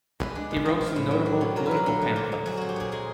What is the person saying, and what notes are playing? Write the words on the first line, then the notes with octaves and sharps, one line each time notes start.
He wrote some notable political pamphlets.
G#3 B4
D4
D#3
F3
C4
A2
F#3
D4
B2
F#3 A#4
B4
D4
A#4
D3
F3
A#2
A#2
F#3 G#4
C4 F#4
G4
A#2 G#4
G#3 G#4